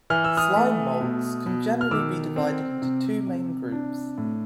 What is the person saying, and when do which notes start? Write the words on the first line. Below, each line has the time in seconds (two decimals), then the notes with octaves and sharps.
Slime molds can generally be divided into two main groups.
0.10 E3 F6
0.24 E6
0.37 D#6 F6
0.56 A3
1.00 B2
1.46 B2
1.81 F6
1.91 D#3 D6 E6
2.36 C4
2.82 C3
3.27 C3
3.72 D4
4.18 A2